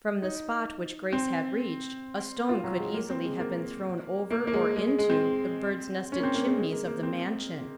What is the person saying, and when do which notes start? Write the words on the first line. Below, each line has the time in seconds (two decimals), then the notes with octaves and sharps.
From the spot which Grace had reached a stone could easily have been thrown over or into, the birds'-nested chimneys of the mansion.
0.22 D#4
1.12 C4
2.49 F4
2.64 F#3
2.79 G#3
2.94 A#3
3.10 C4
3.25 G#3
3.40 A#3
4.31 A#3
4.47 A#3
4.53 G#3
4.76 G#3
4.87 G#3
4.98 G#3
5.10 C4
6.12 C#4
6.19 A#3
6.23 C4
6.35 A#3
6.45 G#3
6.58 G#3
6.72 A#3
6.87 A#3
7.03 C4